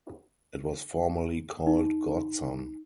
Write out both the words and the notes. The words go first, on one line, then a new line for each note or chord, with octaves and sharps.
It was formerly called Godson.
D#4